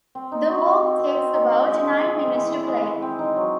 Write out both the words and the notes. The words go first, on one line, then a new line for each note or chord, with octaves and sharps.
The work takes about nine minutes to play.
C4
D#4
F#4
C4
C4
C4
C4
D#4
C4
G#3
G#3
G#4
C4
E3
E3
G#3
E3
C4
D#4
F#3